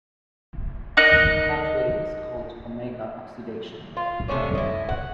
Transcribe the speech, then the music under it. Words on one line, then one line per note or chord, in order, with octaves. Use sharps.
The pathway is called omega oxidation.
D#4 A#4 D#5 F#6
F4
C3 A3 C#4 D4
E4 D#5
F#5